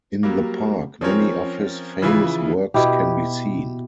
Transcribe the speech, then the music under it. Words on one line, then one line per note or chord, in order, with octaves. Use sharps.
In the park many of his famous works can be seen.
F#3 G3 A#3
F3 C4 C#4 A#4 C#5
C#3 E3 F3 E4 F4
B2 E4 G4